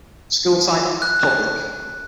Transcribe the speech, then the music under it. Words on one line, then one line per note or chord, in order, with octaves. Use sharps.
School type: Public.
F#6